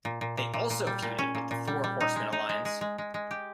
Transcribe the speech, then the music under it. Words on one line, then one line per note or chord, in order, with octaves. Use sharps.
They also feuded with the Four Horsemen alliance.
A#2
A#2
A#2
A#2
A#2
G3
A#2
C#4
A#2
A#2
G3
G3
D#4
G#3
D#4
G#3
G#3
G#3
G#3
G#3
G4